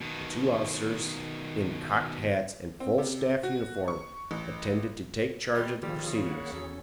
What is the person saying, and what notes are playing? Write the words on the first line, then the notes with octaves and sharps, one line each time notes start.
The two officers, in cocked hats and full staff uniform, attended to take charge of the proceedings.
B2 D#3
C4
C3
F#4
C#6
A1
G3 D#5 A5 A#5 C6 D#6
D#2 D3 F3 G3 F4 G#4
C#3
A#3 C#5 F#5
E2 F#3 C#4 A4